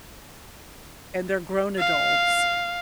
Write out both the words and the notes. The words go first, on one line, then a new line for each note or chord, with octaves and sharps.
and they're grown adults.
F5